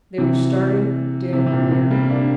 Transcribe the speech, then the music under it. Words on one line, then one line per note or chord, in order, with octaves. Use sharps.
They were starting dead weary.
C3 E3
C3 E3
C3
A#2
C3
G3 A#3
A#3 D4